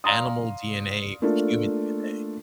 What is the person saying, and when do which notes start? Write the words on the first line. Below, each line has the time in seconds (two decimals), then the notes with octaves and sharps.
animal DNA with human DNA, and
0.04 D5 F5 A#5 C6 D#6
1.22 A3 A#3 D4 F4 A4